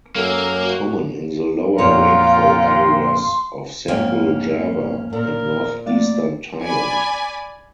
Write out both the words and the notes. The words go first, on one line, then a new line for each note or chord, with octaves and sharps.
Common in the lower rainfall areas of central Jawa and northeastern Thailand.
F#2 A#3 A4 A#4
F#4
F2 A#2 F4 C#5 F#5 G5 A#5 C6
F2 G#2 A#3 C#4
A#2 A#4
A3 A#3 D5
D5 G#5 B5